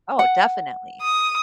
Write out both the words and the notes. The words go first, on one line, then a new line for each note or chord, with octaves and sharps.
Oh, definitely.
F#5
D#6